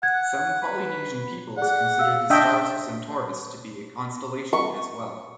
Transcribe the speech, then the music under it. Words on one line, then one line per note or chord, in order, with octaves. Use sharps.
Some Polynesian peoples considered the stars of Centaurus to be a constellation as well.
F#5 G#6
B4
G#4 D5 F#5
F5 E6
D4 D#5 E5 G5
C#6